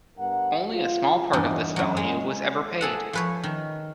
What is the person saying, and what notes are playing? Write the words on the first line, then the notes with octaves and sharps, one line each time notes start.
Only a small part of this value was ever paid.
G2 B3 A#4 F#5
F4
E2 G2 D#4
F#2 F#3
G#3
G#4 A4 F#5
F3 B4 C#5
D#3